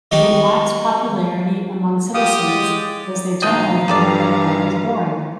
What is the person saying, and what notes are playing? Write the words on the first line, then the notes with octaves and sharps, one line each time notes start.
It lacks popularity among citizens, as they generally think the report is boring.
D#3 F#3 B3 D#4 F#4 G4
F4 G4 F#5 D#6
G#3 D5
B1 E3 F3 D4 D#5 F5 G5 A#5
G2 D#3 A4 D5